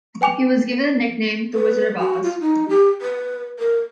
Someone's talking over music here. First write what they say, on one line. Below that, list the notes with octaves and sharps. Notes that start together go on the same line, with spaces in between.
He was given the nickname "the Wizard of Os".
B4 G5 G#5 D6 F7
B4
F#4
F4
D#4
G4
B4
A#4